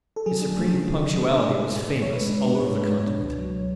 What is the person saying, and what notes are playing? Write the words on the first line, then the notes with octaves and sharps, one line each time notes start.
His supreme punctuality was famous all over the continent.
A4
F#3 G#4
D4
A3
C#3
F#3
D4
A3 B4
B2 A4
G#4
D4 A4
B2
A3
B2 C#5
G#3 B4
D4
B3
B4
G#2 C#5
G#3
D4
B4
B2 C#5
C#2
F#3